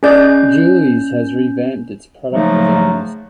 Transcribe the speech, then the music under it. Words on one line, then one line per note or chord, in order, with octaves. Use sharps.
Julie’s has revamped its product designs.
C#4 G#4 D5 D#5 G6
C#3 F3 F#3 A3 A#3 D#4